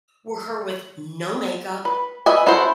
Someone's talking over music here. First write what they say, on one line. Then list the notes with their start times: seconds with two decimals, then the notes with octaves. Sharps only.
were her with no makeup,
1.85 B4
2.26 B4 D#5 E5 G#5
2.46 C#4 E4 F#4 A4 C5